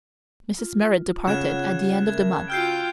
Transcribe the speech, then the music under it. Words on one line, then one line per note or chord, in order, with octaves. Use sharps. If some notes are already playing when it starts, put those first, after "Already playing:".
Mrs. Merrit departed at the end of the month.
F4
C#3 F4 C#5 F#5 F#6 G#6 E7
A#4 E5 A5 G#6
F4 F#4 G5 E6 F6 G6 C7